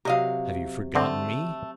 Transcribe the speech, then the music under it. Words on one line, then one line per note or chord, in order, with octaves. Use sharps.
Have you forgotten me?
C3 F#3 A#4 D#5 F5
D3 A3 C4